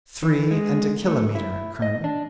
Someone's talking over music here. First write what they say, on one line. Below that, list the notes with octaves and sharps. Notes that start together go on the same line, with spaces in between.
"Three and a kilometre, colonel."
E3
G#3
A3
E4
D#5
D4